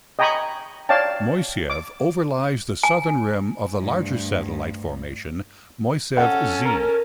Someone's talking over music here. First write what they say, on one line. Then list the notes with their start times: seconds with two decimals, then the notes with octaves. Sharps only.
Moiseev overlies the southern rim of the larger satellite formation Moiseev Z.
0.19 D#5 G5 G#5 A#5 B5 C#6
0.89 C#5 D5 F5 G5 A5
1.70 D6
2.83 G#5
3.80 D2 G2
6.17 C#4 A4 F#5
6.65 A#4